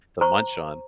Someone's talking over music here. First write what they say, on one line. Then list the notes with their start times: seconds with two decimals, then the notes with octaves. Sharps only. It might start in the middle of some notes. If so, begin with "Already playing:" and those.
to munch on.
0.21 C5 A#5 C#6